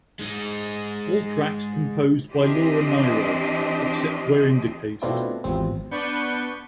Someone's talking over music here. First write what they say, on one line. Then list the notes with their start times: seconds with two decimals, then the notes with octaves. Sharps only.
All tracks composed by Laura Nyro, except where indicated.
0.19 G#3 D#4
2.32 E3 C4 D4 G4 C5 D#5
5.02 B2 A3 C4 D4 E4 F4
5.44 G#1 E2 B2 F3 G3 C4
5.91 B3 D4 B4 C#6 G6 C#7